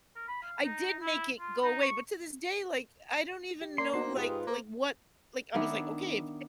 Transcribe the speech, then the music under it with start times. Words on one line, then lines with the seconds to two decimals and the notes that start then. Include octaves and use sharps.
I did make it go away, but to this day, like, I don't even know, like like what like I was like, "Okay, if"
0.16 A#4
0.28 B5
0.42 F5
0.65 D#4
1.02 E4
1.40 F4
1.64 D#4
1.82 C#6
3.61 G4
3.78 A#3 D5 C6
3.94 B3 D#4 F#4 C5
4.16 G#2 F4 G4 B4 G5 D#6
4.47 A#3 C5
5.55 D#3 B3 D4 E4